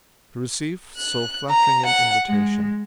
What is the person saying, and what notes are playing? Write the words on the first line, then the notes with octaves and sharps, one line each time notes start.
To receive so flattering an invitation!
F#6
A#5
F#5
G#3